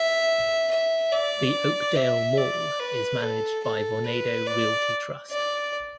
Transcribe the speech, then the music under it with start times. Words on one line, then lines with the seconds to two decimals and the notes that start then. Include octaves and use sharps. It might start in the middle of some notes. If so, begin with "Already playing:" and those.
The Oakdale Mall is managed by Vornado Realty Trust.
Already playing: E5
0.71 E5
1.12 D5
1.96 E5
2.37 D5
2.79 B4
3.22 A4
3.64 A4
4.04 B4
4.47 D5
5.30 D5